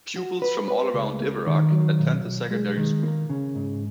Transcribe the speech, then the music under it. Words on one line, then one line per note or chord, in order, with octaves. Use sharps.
Pupils from all around Iveragh attend the secondary school.
F#4
B4
B4
C#2
A#3
D#3
F#3
B1
B1
G#3
D#3
A#3
C#3
G#2